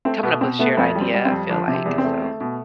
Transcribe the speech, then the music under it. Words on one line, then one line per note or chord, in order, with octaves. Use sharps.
coming up with a shared idea, I feel like, so
A3 C4
B2 B3
B2 C4
A3 B3
F2 C4
G3
C4
G3
C4
F2
D3 F3 D4
C3
C4
E2
C4
A3
A3
B2